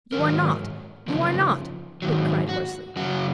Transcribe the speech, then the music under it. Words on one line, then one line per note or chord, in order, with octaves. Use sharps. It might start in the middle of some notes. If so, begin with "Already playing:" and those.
"You are not; you are not," Hook cried hoarsely.
G#2 D#3 F#3 A#4
F#2 C#3 F3
G#2 D#3 F#3
F#4
F#2 C#3 F#3 F#4